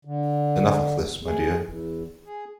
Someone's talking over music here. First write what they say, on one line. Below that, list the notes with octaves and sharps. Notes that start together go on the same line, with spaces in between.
Enough of this, my dear!
D3
G#4
E2
G#4